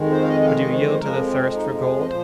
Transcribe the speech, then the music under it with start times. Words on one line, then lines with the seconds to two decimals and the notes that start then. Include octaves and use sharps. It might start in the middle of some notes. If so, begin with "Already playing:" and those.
Would you yield to the thirst for gold?
Already playing: F2 D#3 G#3
0.11 C5
0.23 F5
0.28 D#5
0.40 D#5
0.46 F5
0.60 D#5
0.73 C5
0.87 C5
0.99 F2 F3 G#3 A#4
1.27 C4
1.54 D#4
1.80 G#4
1.99 D#5
2.06 A#2 F3 C5